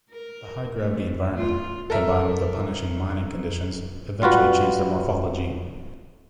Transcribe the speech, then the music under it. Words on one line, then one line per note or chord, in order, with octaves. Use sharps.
The high gravity environment, combined with the punishing mining conditions eventually changed their morphology.
A#4
A3
F4
A4 A#4 E5
G3 F4 F#4 B4